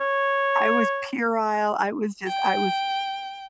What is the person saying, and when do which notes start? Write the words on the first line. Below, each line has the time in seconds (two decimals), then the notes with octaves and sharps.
I was puerile. I was just I was
0.01 C#5
2.27 G5